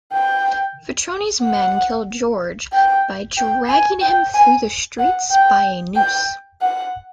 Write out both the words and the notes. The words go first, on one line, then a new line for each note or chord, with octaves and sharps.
Vitroni's men kill George by dragging him through the streets by a noose.
G5
F#5
G5
G5
G#5
G5
G#5
F#5
G5
G5
F#5